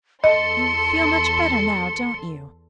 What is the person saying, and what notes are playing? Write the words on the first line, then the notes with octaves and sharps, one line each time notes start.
'You feel much better now, don't you?'
E2 A4 D#5 C6 C#7